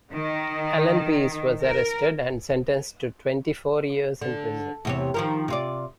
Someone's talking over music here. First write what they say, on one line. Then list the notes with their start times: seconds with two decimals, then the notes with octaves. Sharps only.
Allen Pace was arrested and sentenced to twenty-four years in prison.
0.13 D#3
1.62 A#4
4.21 D3
4.85 E2 C3 C#5
5.14 D#3 F3 A#4
5.48 C3 F4 D5